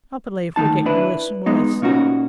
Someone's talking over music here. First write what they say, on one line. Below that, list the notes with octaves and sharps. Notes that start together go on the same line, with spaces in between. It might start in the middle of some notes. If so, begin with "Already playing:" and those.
I believe we're getting worse and worse.
D2 D#3 G#3 D#4 A5
D4 E4 B4
G#3 B3 D#4
A#2 C#4 D#4 F#4